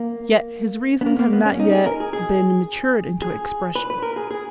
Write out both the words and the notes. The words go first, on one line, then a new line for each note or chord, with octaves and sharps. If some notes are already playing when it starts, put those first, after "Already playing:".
Yet his reasons have not yet been matured into expression.
Already playing: A#3
B3
A#3
A#3
B3
C#4
D#4
G#4
A#4
G#4
G#4
G#4
B4
B4
A#4
G#4
G#4